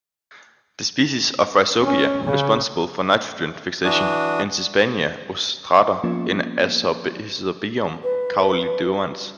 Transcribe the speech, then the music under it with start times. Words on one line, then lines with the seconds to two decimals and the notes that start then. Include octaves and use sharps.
The species of rhizobia responsible for nitrogen fixation in "Sesbania rostrata" is "Azorhizobium caulinodans".
1.80 C#4
2.24 C#3
3.84 E3 D4 F#4 D#6
6.04 F3 A#3 B3 C#4 F4
8.04 B4